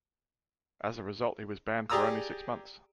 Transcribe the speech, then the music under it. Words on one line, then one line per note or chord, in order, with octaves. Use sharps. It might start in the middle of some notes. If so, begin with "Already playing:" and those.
As a result he was banned for only six months.
G4 G#4 D5 A#5 D#6 E6